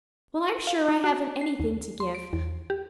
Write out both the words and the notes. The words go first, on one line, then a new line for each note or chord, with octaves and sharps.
Well, I'm sure I haven't anything to give.
D#7
F5
D#4
F#4
C7
D#2
C6
D7
E2
G4